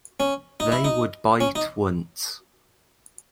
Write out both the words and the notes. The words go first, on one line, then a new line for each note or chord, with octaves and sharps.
They would bite once.
C#4
D#4
E4
D#4
C#4
D#4